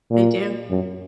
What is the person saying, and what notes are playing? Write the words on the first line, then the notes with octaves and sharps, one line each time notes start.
They do.
A#2
F#2